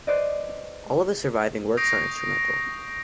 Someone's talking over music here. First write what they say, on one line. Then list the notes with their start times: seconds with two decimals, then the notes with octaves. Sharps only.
All of his surviving works are instrumental.
0.07 B4 C5 D5 D#5
1.77 C#6 D#6 G6 A#6 C7 D7